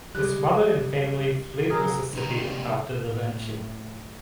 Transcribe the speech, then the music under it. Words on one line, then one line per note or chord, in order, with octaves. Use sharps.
His mother and family fled Mississippi after the lynching.
G3 G#3 F#6
D#3 F#3 G#4 A#4
B2 D3 D#4 A4 A#5
C3 A#3 D4 D#4 G4
A2